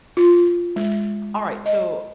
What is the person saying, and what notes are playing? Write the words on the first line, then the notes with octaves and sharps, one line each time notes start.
Alright, so,
F4
G#3
D#5